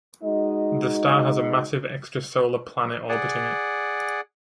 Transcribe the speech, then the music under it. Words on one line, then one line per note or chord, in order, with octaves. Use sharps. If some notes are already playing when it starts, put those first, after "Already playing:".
The star has a massive extrasolar planet orbiting it.
G#3 D#4 F#4 D#5
G#4 D5 F#5